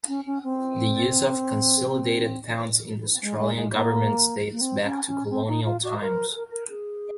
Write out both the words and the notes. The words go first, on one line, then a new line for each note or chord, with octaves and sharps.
The use of consolidated funds in Australian government dates back to colonial times.
C#4
C#4
C4
G#3
G#3
G#3
A#3
A#3
C4
C#4
C#4
C4
D#4
F4
F#4
A#4
A#4
A#4
G#4